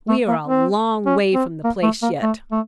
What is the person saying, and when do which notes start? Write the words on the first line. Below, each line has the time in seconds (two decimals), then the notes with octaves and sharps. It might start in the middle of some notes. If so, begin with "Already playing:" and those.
"We are a long way from the place yet."
0.08 A3
0.28 A#3
0.47 C4
1.06 C#4
1.34 C4
1.64 A#3
1.83 A3
2.02 A#3
2.22 A3
2.51 A3